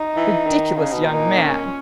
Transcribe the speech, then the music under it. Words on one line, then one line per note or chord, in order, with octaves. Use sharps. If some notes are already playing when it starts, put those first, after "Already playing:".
Ridiculous young man!
Already playing: D#4
E3
D#3
C#3 D#4
B2
A#2 D#4
C#4